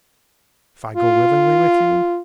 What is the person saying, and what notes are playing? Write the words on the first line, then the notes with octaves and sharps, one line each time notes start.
"If I go willingly with you?"
F4